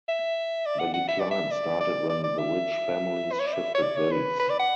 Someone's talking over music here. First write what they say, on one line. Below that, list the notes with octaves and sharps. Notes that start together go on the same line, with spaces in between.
The decline started when the rich families shifted base.
E5
D5
F#5
F#5
E5
D5
E5
D5
D5
D5
D5
E5
B4
C#5
D5
E5
C#5
D5
C#5
B4
B4
D5
F#5